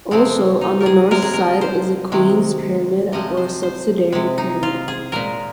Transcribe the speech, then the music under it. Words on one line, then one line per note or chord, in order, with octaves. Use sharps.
Also on the north side is the Queen's Pyramid or subsidiary pyramid.
C3 F3 G#3 C4
D#4
A#4
G#4
C3 G#3 A#4
G#4
A#4
C5
C3 D#3 G#3
C3 F3 G#3 D#5
C5
C5
C3 G#3
D#4
F4
G#4
A#2 G#3 A#4